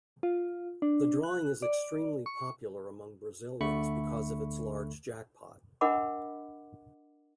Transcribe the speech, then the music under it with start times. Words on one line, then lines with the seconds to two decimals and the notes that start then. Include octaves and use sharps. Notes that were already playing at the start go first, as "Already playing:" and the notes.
The drawing is extremely popular among Brazilians because of its large jackpot.
0.23 F4
0.82 D4
1.23 F#6
1.62 D5
2.26 C#6
3.61 D2 D3 A3 B5 C#6 C#7
5.81 D4 A#4 D#5 F#5 B5 D6